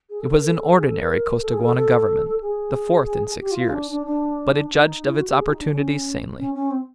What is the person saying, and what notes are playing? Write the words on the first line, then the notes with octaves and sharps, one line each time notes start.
It was an ordinary Costaguana Government--the fourth in six years--but it judged of its opportunities sanely.
G#4
A4
A#4
A4
G#4
A4
G#4
A4
A#4
A4
G#4
A#4
A4
A4
G#4
G4
F4
F4
C#4
D4
D4
D4
D#4
E4
F#4
G4
G#4
D#4
D4
C#4
C#4
C#4
C4